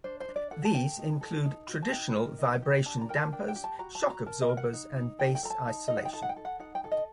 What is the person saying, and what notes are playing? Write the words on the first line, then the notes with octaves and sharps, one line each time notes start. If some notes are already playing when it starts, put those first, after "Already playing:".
These include traditional vibration dampers, shock absorbers, and base isolation.
D4 C5
C5
D4
D5
A4 F#5
A5
A4 G5
D#4
A4
D#4
F#4
A5
D#4 G5
A#4
D#4
G4
D4 A5
A#5
A#4 G5
A5
D4 G5
G5
G4
A5
F#4 A#5
A5
F#4
A#5
A#4 A5
D#5
A#4
F#5
D#4
D#4
A4 G5
G5
A4 A#5
A5
D#4
D#4 D#5
F#5
G5
A4 A5
F#5
G5
A4
F#5
D#4 F#5
G5
A4
D#5